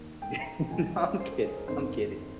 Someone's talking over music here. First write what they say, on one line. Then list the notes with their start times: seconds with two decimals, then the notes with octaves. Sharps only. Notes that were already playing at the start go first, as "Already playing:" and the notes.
yeah, no, I'm kidding, I'm kidding.
Already playing: D#2 D#3
0.22 G5
0.46 A#5
0.71 C#2 C#3 F3 G#5
0.96 C#5
1.20 C5
1.32 C5
1.44 G#4
1.57 A#4
1.68 G1 F2 D#3 C5